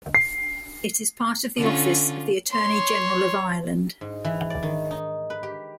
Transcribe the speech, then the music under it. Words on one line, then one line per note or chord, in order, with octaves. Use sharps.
It is part of the office of the Attorney General of Ireland.
C7
D3 C#4 F4
C#5 C6
G#2
E3
D5
D#3
D#4
B4
G4